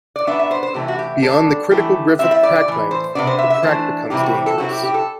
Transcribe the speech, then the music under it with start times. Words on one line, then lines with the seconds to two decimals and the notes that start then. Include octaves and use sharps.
Beyond the critical Griffith crack length, the crack becomes dangerous.
0.16 D5
0.27 F#3 B3 D4 E5
0.39 E5
0.51 C5
0.63 C5
0.74 C3 E3 A3 E4 G4
0.88 F#4
0.99 G4
1.23 D3 G3 D4 A4
1.71 E3 A3 E4 G4
2.19 D3 G3 C4 E4 E5
2.31 E5
2.43 D5
2.55 D5
2.68 A2 E3
2.91 C5
3.15 C3 F#3 B3 D4 D5
3.27 C5
3.38 E5
3.50 E5
3.63 E3 A3 D4 C5
4.10 C3 E3 G3 C4 E4 G4
4.23 F#4
4.34 G4
4.46 A4
4.58 C3 F#3 C4 E4 F#4
4.71 G4
4.83 G4
4.94 A4